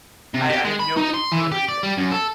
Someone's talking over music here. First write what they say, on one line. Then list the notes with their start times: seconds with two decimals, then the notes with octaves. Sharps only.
I I have no particular reason.
0.34 C3
0.50 G4
0.65 G#3
0.80 B5
0.97 D#4
1.14 C6
1.32 E3
1.52 G4
1.68 D5
1.83 G3
1.97 F#2
2.12 A4